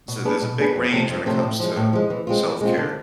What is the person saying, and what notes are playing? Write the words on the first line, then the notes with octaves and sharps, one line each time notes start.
so there's a big range when it comes to self-care.
B2
B3 D4 G#4 B4
B2
B3 D4 G#4 B4
F2
C3 F3 A3 C4
F2
C3 F3 A3 C4
A2
F3 G#3
A2
F3 G#3
E3
G#3 C4 F4
E3
G#3 C4 F4
D3